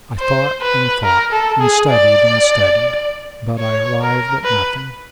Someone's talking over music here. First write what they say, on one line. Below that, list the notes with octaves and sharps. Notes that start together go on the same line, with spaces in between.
I thought and thought and studied and studied; but I arrived at nothing.
C5
B4
A#4
A4
G#4
D5
C#5
A#4
B4